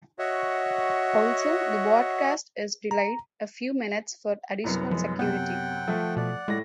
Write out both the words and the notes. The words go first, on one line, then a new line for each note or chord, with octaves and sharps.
Also, the broadcast is delayed a few minutes for additional security.
F#4 C#5 D#5 E5 F#5
A#5
C2 F#2 B3 A#5
F3 G#3
F#2 C3 B3 F#5 G5
F3 A3 E5
B2 D5 F#5
A2 G#3 A#6